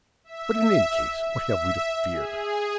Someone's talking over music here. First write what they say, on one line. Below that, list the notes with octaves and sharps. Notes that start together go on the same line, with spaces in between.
But in any case what have we to fear?
E5
E5
G#4